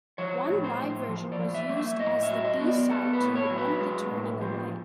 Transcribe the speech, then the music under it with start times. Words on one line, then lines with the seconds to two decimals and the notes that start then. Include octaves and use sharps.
One live version was used as the B-side to "On the Turning Away".
0.18 F3 C#5
0.49 A2
0.64 C5
0.78 A2
1.09 F3
1.32 D5
1.39 F3
1.54 E5
1.69 A#3
1.77 E5
2.00 A2 D#5
2.23 E5
2.29 F#3
2.45 D#5
2.60 B3
2.67 D5
2.90 B3 A4
3.13 B4
3.20 A2
3.35 C#5
3.50 F#3
3.58 B4
3.80 G#3
4.11 A2
4.41 F3